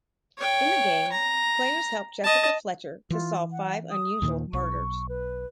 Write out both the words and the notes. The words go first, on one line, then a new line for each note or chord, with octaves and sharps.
In the game, players help Jessica Fletcher to solve five unusual murders.
C#5 G5
A#5
D#5 A5
E3 F4
F#5
D#6
D#2 A#2 D#3
B1 C#6
B4